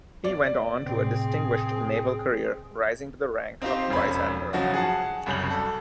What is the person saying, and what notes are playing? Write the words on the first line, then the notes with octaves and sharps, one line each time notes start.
He went on to a distinguished naval career, rising to the rank of vice-admiral.
B3 D5
A2 C3 C4 G#4
C4 D#4 F4 G4 C5
E1 F2 C#4 B5
C#3 F3 F#3 D#4 F#4
G#4 F#5 A5
C2 F#2 C#3 G6 F#7
A4